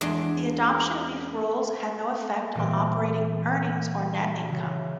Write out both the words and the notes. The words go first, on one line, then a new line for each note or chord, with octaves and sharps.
The adoption of these rules had no effect on operating earnings or net income.
E2 G#3 D4 C6
A#2 E3 G3 C4
C#3 E3 F#3